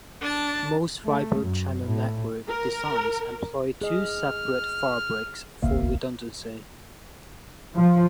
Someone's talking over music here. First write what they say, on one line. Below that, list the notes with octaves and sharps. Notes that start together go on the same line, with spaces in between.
Most Fibre Channel network designs employ two separate fabrics for redundancy.
D4 A5
A3
F#2
A2
A#4
G#4 D#5 F6
D#1 G#1 C#2 A#3 E5 F5
F3